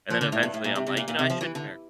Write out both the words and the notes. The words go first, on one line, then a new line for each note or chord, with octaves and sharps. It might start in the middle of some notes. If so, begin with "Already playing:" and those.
and then eventually I'm like, "You know, I should care."
F3
D3
A2
G2
A2
A#2
C3
C3
A#2
A#2
C3
F3
E3
D3